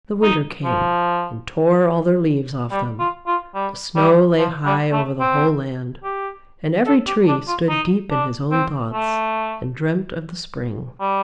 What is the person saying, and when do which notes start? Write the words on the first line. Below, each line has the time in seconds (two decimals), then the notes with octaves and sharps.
The winter came and tore all their leaves off them, the snow lay high over the whole land, and every Tree stood deep in his own thoughts and dreamt of the spring.
0.23 D#4
0.64 F3
2.72 G3
3.00 F4
3.27 F4
3.55 G3
3.96 G3
4.38 F3
4.65 G3
4.92 A3
5.20 C4
6.04 G4
6.86 A4
7.07 G4
7.28 D4
7.48 F4
7.69 D#4
8.11 D4
8.51 C4
8.93 A3
11.00 G3